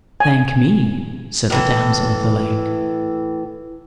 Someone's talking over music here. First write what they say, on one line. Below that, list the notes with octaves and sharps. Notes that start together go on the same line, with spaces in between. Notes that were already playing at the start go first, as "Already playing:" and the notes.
Thank me, said the Damosel of the Lake.
G#5
A2 E3 A4